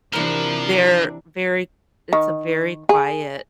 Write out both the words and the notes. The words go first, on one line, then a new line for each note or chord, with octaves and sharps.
they're very it's a very quiet,
C3 E3 F3 D4 A#4
D#3
G#4